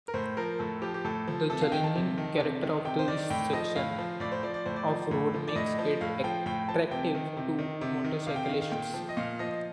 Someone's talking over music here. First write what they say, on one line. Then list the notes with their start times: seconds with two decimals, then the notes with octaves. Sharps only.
The challenging character of this section of road makes it attractive to motorcyclists.
0.08 A#4
0.14 A2 C5
0.37 F3 A#4
0.59 A2 A4
0.82 F3 G4
0.94 G4
1.04 A2 A4
1.28 F3
1.50 C3 A4
1.62 F5
1.72 D#3 G5
1.84 A5
1.95 C3
2.18 D#3
2.40 C3
2.62 D#3
2.85 C3 G5
2.99 C5
3.08 D#3 D5
3.30 A2 G5
3.53 F3 D#5
3.76 A2 F5
3.99 F3
4.20 A2 D5
4.32 C5
4.43 F3 D5
4.54 D5
4.66 A2 C5
4.76 D5
4.88 F3
5.11 A2
5.34 F3
5.47 D5
5.55 A2 D#5
5.79 F3
6.01 A2 F5
6.24 F3 G5
6.46 A2 G5
6.68 F3 A5
6.91 C3 G5
7.14 D#3
7.37 C3
7.59 D#3
7.81 C3
8.04 D#3
8.27 C3 F5
8.36 G5
8.45 D#3 F5
8.61 F5
8.72 A#2 G5
8.94 F3
9.09 D#5
9.17 A#2 F5
9.39 F3 D#5